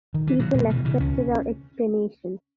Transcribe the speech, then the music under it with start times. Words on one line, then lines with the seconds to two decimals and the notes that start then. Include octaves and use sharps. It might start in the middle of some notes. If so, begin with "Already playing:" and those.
People accepted our explanations.
0.14 D#3
0.27 E3
0.39 B2 F#3
0.54 B2 G#3
0.70 C#3 E3
0.85 C#3 E3
1.00 C#2 C#4